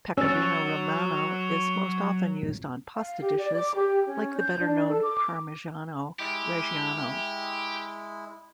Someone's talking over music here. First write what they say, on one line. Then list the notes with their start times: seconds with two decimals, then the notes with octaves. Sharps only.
Pecorino Romano is most often used on pasta dishes, like the better-known Parmigiano Reggiano.
0.18 F#3 C#4 F#4 C#5 E6 A6
2.95 F5
3.21 G4
3.38 D5
3.55 D6
3.75 G4
4.06 C#4
4.36 G6
4.59 D4
4.87 A4
5.01 D6
6.19 G#3 E4 G4